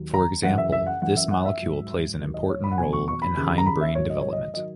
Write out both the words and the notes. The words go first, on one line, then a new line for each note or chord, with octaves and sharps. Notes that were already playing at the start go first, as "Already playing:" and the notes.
For example, this molecule plays an important role in hindbrain development.
Already playing: D#2 D#3 F#3
A#5
F#2 C#3 E3 F#5
E5
E5
F#5
F#2 E3 F#5
E5
F#5
E5
G#2 F#3
D#2 D#3 F#3
D#5
C#5
B5
F#5
E2 B2 F#3 G#5
C#6
C#6
B5
D#2 C#3 E3
A#5
B5
E5
G#2 D#3 F#3 C#5
D#5
C#5
D#5
D#3 F#3 D#5